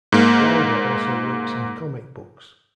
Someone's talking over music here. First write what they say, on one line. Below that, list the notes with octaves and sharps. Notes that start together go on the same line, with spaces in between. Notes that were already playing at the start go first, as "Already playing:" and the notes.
Lowder also works in comic books.
G#2 A#3